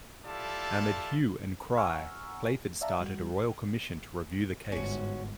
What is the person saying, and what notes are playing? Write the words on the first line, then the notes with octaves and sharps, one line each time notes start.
Amid hue and cry, Playford started a Royal Commission to review the case.
E4 F4 G4 A4 D5 A5
F#5 G#5 A#5 C#6 E6 F6
D5 E5 F5 A5 A#5
G3 F#4
G1 G#2 C#4 F#4